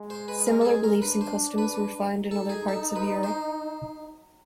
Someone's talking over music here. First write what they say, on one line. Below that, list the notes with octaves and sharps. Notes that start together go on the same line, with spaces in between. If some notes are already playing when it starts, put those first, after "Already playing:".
Similar beliefs and customs were found in other parts of Europe.
Already playing: G#3
C5
B4
A#4
A4
G#4
A#4
D4 B4
C5
B4
D#4
A4
G#4
A4
B4
C5